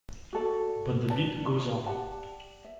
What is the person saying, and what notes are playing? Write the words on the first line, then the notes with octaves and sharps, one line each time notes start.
But the Beat Goes On.
F#4 A4 D5
B4 D5 A5
G4 D5 F#5 A5
E5